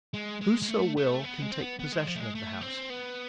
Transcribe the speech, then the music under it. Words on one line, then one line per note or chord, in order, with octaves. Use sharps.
Whoso will can take possession of the house.
G#3
G#3
G#3
A3
A3
B3
G#3
C4
B3
B3
G#3
F3
A3
G#3
A3
C4
B3